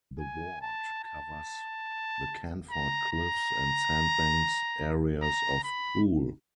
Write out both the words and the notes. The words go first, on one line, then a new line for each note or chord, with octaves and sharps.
The ward covers the Canford Cliffs and Sandbanks areas of Poole.
G#5
A5
A5
A#5
A#5
A#5
B5